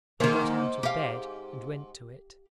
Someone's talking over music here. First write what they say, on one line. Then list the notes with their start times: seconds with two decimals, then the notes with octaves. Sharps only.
I got out of bed and went to it.
0.20 G#2 D#3 A#3 C5
0.83 G4 F5